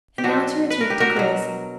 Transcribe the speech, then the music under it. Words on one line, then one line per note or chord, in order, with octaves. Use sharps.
And now to return to Creusa.
G4
B2 F#3 D4 F#4
B4
A#4
G4
F#4 A#4
B2 F#3